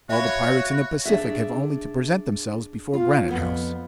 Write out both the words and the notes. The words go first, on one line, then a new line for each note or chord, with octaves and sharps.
All the pirates in the Pacific have only to present themselves before Granite House!
F#4 C#5 E5 F5 B5
D4 G#4 E5
F4
F2 B3